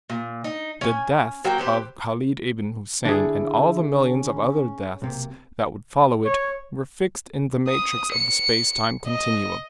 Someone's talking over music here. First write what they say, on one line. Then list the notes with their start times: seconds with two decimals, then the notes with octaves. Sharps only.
The death of Khalid ib'n Hussein, and all the millions of other deaths that would follow it, were fixed in the matrix of the space-time continuum.
0.10 A#2
0.44 D#4
0.81 C#4 G#5
1.45 F#3 A#3 F#5 G5
1.58 B3 C4 G4 C5
3.05 D3 D4 E4 G#4
4.04 C#4
5.02 B1 C3 A#3
6.25 C#5
7.68 D#6
8.12 C#7
9.07 D#5